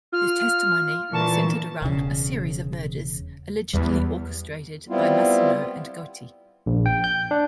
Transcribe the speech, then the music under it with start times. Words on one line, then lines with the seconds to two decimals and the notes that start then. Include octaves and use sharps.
His testimony centered around a series of murders allegedly orchestrated by Massino and Gotti.
0.12 F4 F6
1.13 A#2 D3 E3 A5 C#6
1.82 E1 C#3
3.73 E2 G3
4.89 G3 B3 C4 E4 F4
6.66 A#1
6.86 G5
7.04 G6
7.31 D4